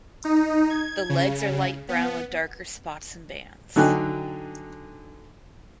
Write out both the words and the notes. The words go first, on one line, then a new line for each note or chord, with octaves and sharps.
The legs are light brown with darker spots and bands.
D#4
G#6
C#3
B3
D3 F#3 D#4 G5 G#5 F#6